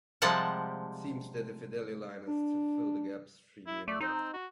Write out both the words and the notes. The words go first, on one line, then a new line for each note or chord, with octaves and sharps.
It seems that the Fidelio line is to fill the gap streamium left.
C3 F3 G3 G#3 F#5 A5
D4
E4
A3 D5
C4 D#4
F#4